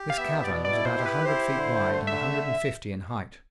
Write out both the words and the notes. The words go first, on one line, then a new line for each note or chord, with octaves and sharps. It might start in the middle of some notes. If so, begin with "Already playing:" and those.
This cavern was about a hundred feet wide and a hundred and fifty in height.
Already playing: G4
F5
B3 E5
B2 D5
D5
E4
C5
G4
B4
E4 C5
D3
A3
D3 E5